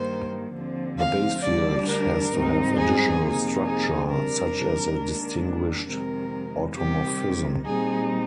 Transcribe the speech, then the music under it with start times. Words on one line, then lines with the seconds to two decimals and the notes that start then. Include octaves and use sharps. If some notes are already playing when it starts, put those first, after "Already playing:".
The basefield has to have additional structure, such as a distinguished automorphism.
Already playing: G2 D#3 A#3 C5
0.54 D#2 D3 F3 C4
0.98 F5
1.42 D2 D3 G3 D4 D5
1.87 A#4
2.31 G#2 G3 C4 D#4
2.75 G#4
3.21 F2 C3 D#3 A#3 D#4
3.65 G#4
4.09 C3 G3 D4 A#4
4.98 D#2 D#3 G#3 D4
5.87 F2 C3 D#3 G#3 A#4
6.76 C3 D#3 G3 G4
7.65 A#2 G3 C4 D#4 G#4